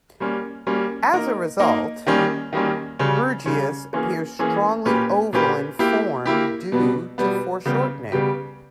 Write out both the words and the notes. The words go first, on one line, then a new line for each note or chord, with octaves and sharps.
As a result, Byrgius appears strongly oval in form due to foreshortening.
G3 A#3 C#4
G3 A#3 C#4
A#3 D#4 A#4
A#3 D#4 A#4
D#3 G3 A#3 C#4
D#3 G3 A#3 C#4
C#3 G3 C#4
C#3 G3 C#4
E3 A#3 C#4 G#4
E3 A#3 C#4 G#4
A#2 A#3 C#4 G4 B4
A#2 A#3 C#4 G4 B4
A#3 E4 G4
A#3 E4 G4
B2 G3 B3
B2 G3 B3
C#3 G3 B3 G4
C#3 G3 B3 G4